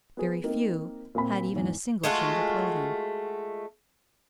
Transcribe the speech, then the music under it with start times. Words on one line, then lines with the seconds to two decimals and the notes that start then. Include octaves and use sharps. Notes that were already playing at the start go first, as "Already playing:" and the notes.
Very few had even a single change of clothing.
0.17 B3 G#4
0.44 A#3 C4 D#4
1.15 A#2 C4 B5
1.53 E2 G#2
2.04 G#3 A3 F4 F#4